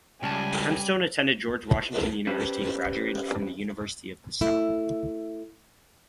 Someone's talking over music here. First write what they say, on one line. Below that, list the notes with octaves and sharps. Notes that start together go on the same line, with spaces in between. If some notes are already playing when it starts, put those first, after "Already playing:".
Hempstone attended George Washington University and graduated from the University of the South.
C#2 G3 C#4 G#5 A5
C#4 G4 B4 C5
A3 E4